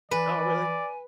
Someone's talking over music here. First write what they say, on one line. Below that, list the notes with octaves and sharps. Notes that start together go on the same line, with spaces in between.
Oh, really?
E3 B4 D5 G#5